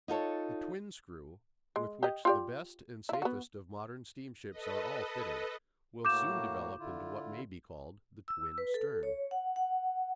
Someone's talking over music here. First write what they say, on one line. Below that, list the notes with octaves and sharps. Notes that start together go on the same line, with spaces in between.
The twin screw, with which the best and safest of modern steam-ships are all fitted, will soon develop into what may be called "the twin stern".
D#4 F4 A4 C#5
G#3
G4 D#5
F4 G4 D5
E4 F4
B3 F#4
A4 B4 D#5
A2 A#3 F#4 D6 G6 E7
D3 E4 F4
E6
B4
A4
C#5
F#5
F#5